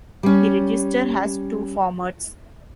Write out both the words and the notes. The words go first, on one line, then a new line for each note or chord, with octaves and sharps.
The register has two formats.
G3 C#4